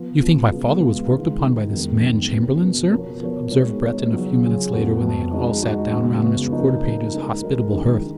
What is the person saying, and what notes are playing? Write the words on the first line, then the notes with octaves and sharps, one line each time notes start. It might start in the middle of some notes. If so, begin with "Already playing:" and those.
"You think my father was worked upon by this man Chamberlayne, sir?" observed Breton a few minutes later when they had all sat down round Mr. Quarterpage's hospitable hearth.
Already playing: F3 B3 F4
C#3 F3 B3 F4
B2 G#3 B3 F4
B2 G#3 B3 F4
D#3 G#3 D#4
D#3 G#3 D#4
F2 D#3 G#3 B3
F2 D#3 G#3 B3
B2 A#3 C#4 F#4
B2 A#3 C#4 F#4
F3 B3 F#4 A#4 C#5
F3 B3 F#4 A#4 C#5
G#3 B3 D#4 F#4 C#5
G#3 B3 D#4 F#4 C#5
C#3 F#3 C#4 F4 G#4
C#3 F#3 C#4 F4 G#4
F2 F3 B3 F#4
F2 F3 B3 F#4
G#3 D#4 F#4
G#3 D#4 F#4
C#3 G#3 B3 F#4
C#3 G#3 B3 F#4
F3 A#3 D#4
F3 A#3 D#4
G#3 D#4 A#4
G#3 D#4 A#4
D#3 G#3 D#4
D#3